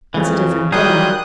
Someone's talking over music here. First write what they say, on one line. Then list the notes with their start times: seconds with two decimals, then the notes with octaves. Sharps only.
It's a different thing.
0.14 F2 C#3 E3
0.72 A#2 D#3 F#3 G3 G#4 D#6 F#6 G6